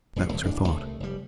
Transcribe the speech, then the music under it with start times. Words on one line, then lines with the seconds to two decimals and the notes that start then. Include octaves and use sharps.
That was her thought.
0.16 D#1 G#1 B2 C4
0.29 C2 D3 F#3
0.43 E1 A1 D4
0.68 C2 A3
1.00 F1 G3